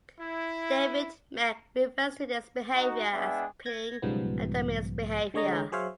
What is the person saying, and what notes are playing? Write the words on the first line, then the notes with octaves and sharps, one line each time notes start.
David Mech refers to this behavior as "pinning", a dominance behavior.
E4
D#4 F#4
G#3 B3 D4 G#4 E5 G5
G#6 A#6
B1 G#2 C#3 F3 G3 B3
D3 G#3 C#5 D#5 A#5
F#3 G#4 C5 C#5 E5 F5